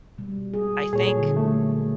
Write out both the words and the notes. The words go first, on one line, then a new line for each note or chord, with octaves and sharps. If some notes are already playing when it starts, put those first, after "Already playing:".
I think
B2 G3
G#4
A#2 F#3 G#4 A4 C#5
D3 E4
A3